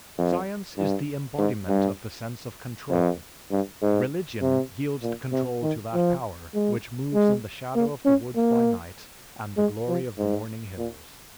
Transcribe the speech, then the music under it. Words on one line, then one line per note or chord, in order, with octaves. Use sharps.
Science is the embodiment of the sense of control, religion yields the control to that power which moves in the shadow of the woods by night, and the glory of the morning hills....
F2
G2
G#2
G2
F2
G2
G#2
C3
A#2
C3
D#3
F3
G#3
G#3
A#3
C#4
A#3
G#3
F3
G#2
A#2